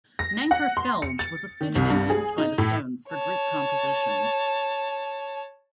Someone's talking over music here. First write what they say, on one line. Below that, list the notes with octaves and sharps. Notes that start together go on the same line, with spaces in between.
"Nanker Phelge" was a pseudomyn used by the Stones for group compositions.
A#6
F#5
C6
C#7
A6
D#3
C2
G2
G#4
D#4
A2
C#5 A5